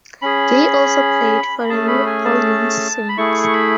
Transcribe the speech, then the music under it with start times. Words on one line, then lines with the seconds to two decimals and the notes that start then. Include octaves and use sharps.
Gay also played for the New Orleans Saints.
0.22 C#4 G#4 B5
1.64 B5
1.69 A3 C#4 G#4 A5
1.88 B5
2.07 G#5
2.25 A5
3.09 B5
3.18 A3 E4 G#4 C#6
3.43 C#6
3.54 B5